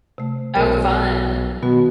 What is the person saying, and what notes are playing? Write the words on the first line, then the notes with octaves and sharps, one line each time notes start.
Oh, fun.
C3 A3
B1 A#4 C5
B2 D#3 B3 F#4